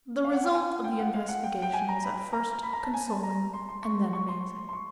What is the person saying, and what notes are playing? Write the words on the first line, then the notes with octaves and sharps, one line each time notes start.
The result of the investigation was at first consoling, and then amazing.
F5
F#5
G5
G#5
G5
F#5
F5
F#5
G5
G5
G#5
A#5
B5
A#5
B5
A#5
A5
G#5
A5
A#5
C6
C6
C#6
C#6
C6
C6
C#6